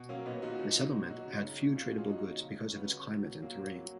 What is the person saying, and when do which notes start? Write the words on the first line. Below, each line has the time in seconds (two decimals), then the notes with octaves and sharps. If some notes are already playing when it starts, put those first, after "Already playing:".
The settlement had few tradable goods because of its climate and terrain.
Already playing: B2
0.09 F#3 A#3 C#4
0.25 A#2 B3 D#4
0.42 F3 D#4 F#4
0.59 A#2
0.76 F#3
0.93 B2
1.09 F#3 D#4 F#4
1.26 C#3
1.42 F#3
1.59 A#2
1.76 F3 C#4 F4
1.86 D#4 F#4
1.93 A#2
1.98 F4 G#4
2.09 F#3 D#4 F#4
2.26 C#3
2.43 F3
2.59 C#3
2.68 C#4
2.75 F#3 B3
2.92 C#3
3.09 F#3
3.26 A#2
3.42 F#3 A#3
3.59 A#2
3.75 F#3